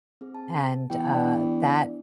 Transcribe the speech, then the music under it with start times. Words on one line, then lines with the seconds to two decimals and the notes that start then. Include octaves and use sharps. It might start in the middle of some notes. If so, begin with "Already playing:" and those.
and, uh, that
0.21 C4 G#4
0.35 A5
0.90 E2 G5
1.11 D4 E4 D5